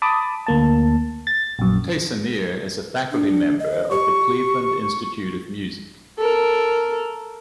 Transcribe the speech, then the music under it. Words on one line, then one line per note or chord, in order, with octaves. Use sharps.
Teissonniere is a faculty member of the Cleveland Institute of Music.
A5 B5 D6 D#6
D2 A#3 A5
A6
A#1 F#2
D4
D#5
G4 C#6
A4 A#4